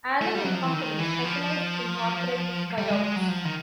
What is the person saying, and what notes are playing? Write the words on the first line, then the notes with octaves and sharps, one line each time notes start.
Allen and Company specialized in corporate buyouts.
A3
G3
F#3
F3
E3
D#3
E3
F3
G3
G#3
G#3
F#3
F3
D#3